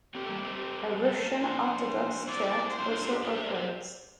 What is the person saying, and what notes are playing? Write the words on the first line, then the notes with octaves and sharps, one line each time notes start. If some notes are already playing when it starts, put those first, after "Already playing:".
A Russian Orthodox church also operates.
A3 C4 G4
G3 A#3
A3 C4
G4
G3 A4
A3
A#3
C4
A#3 D4 C5
C4 E4 D5
C5
A#3 D4
D4 F4
D4 F4
G4
D4 F4
C5 E5
A#4 D5
C5 E5